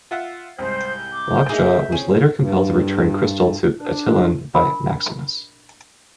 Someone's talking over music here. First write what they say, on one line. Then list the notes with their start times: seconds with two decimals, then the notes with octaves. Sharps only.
Lockjaw was later compelled to return Crystal to Attilan by Maximus.
0.11 F4 E5 F#5
0.58 C2 G#2 C5 G6
1.13 D6
1.49 A#3 D#4 G#4 E5
1.92 C4 C#4 G#4
2.38 G2
3.79 D4
4.54 D4 A#4 B5